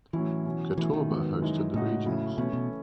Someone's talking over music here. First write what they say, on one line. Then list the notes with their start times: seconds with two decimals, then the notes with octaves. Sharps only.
Catawba hosted the Regionals.
0.13 A2 E3 F#3 C#4 E4
0.45 B2 F#3 C#4
0.78 B2 E3 A3 C#4 E4
0.93 D#3
1.10 G#2 F#3 B3
1.41 F#2 E3 G#3 D#4
1.74 A2 C#3 G#3 D#4 F#4
2.06 C#3 F#3 A3 E4
2.37 B2 E3 A3 C#4 E4
2.53 B2